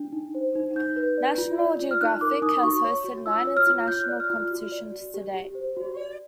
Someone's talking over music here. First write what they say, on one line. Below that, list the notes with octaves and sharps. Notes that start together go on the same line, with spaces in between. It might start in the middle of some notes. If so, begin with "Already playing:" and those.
National Geographic has hosted nine international competitions to date.
Already playing: D4
D#4
C5
D#4
D#4 G6
B4
D5
F4
D5
F4
F6
D#4 F#6
A#4 D6
D#4 D#6
F#4 C#6
C#5
F#4
F4 E6
C#5
F6
F4
F4 G6
D5 F#6
F6
F4
F6
F#4
D5
F#4
G4
G4
C5
F#4
D5